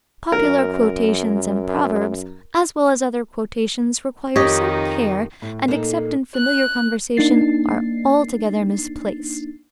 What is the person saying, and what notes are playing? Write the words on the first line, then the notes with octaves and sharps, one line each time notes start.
Popular quotations and proverbs, as well as other quotations, require some care; and, except in familiar conversation, are altogether misplaced.
F#2 A#4
F2 D#3 D#4 G4 C#5 D#5
A2
A#2 A#3 D#4 A4
F#6
A#3 D4 D#4 A6 C7